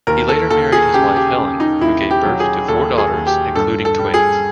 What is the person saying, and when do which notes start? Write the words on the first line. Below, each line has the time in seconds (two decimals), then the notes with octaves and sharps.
He later married his wife Helen, who gave birth to four daughters including twins.
0.07 D#2 A#4
0.29 A4
0.50 D#2 A4
0.72 G#4
0.94 C#3 G4
1.16 G4
1.38 C#3
1.60 D#4
1.81 D#2 E4
2.11 G4
2.25 F#3
2.40 G#4
2.68 D#2 A4
2.98 G#4
3.13 D#2
3.26 G4
3.55 G2 A4
3.85 A4
3.99 G3
4.14 G#4